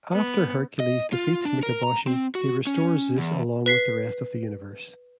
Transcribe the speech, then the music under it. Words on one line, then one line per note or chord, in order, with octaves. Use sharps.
After Hercules defeats Mikaboshi he restores Zeus along with the rest of the universe.
B3
D#5
F4
D4
A#4
A#5
C4
F#4
C#4
E2
B4 B6 C7